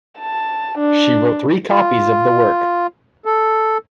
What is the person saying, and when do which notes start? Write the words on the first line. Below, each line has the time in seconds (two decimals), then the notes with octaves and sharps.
She wrote three copies of the work.
0.19 A5
0.78 D4
1.70 F4
3.25 A4